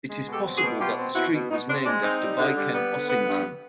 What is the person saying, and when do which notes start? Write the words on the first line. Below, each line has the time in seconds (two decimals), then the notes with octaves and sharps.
It is possible that the street was named after Viscount Ossington.
0.10 G#3
0.27 B2
0.33 G4 A4
0.45 C4
0.57 F#4 G#4
0.62 B2
0.80 B2 F4 G4
0.97 C4
1.15 B2 E4 F#4
1.34 B2
1.51 B2 D#4
1.68 C4 D4
1.86 G#3 D4
2.03 C4 D#4
2.21 G3
2.39 D3
2.57 G3
2.73 B3
2.92 D3
3.09 B3
3.27 G2